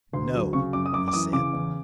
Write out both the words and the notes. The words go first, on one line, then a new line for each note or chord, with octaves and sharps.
"No!" he said.
D2 C6
F#3
C#3 C#6
F#2 D6
D#6
F#2 D6
D6
E3 D#6
C#3 D6
E2